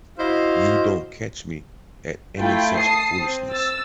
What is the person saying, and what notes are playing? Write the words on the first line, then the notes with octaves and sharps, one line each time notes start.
You don't catch me at any such foolishness.
E4 F#4 C5 D#5 F5
A3 E4 F4 G5
A5 D#6 C7
C4
E6 A6